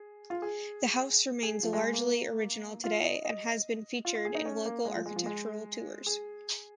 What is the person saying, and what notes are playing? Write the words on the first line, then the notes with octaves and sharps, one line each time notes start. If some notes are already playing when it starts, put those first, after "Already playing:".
The house remains largely original today and has been featured in local architectural tours.
Already playing: G#4
F4
G#4
G#4
F3
G#3
G#3
A#3
F4
D#5
D#5
F4
F4
G#4
D#4
C#4
A#3
G#3
F3
G#3
F3
G#3
G#4